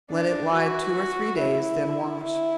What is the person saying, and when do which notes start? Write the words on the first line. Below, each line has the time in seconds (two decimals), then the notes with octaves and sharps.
Let it lie two or three days, then wash.
0.11 D4
0.54 F#4
1.39 E4
2.24 E4